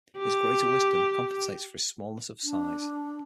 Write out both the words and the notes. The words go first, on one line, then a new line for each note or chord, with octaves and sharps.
His greater wisdom compensates for his smallness of size.
G4
D4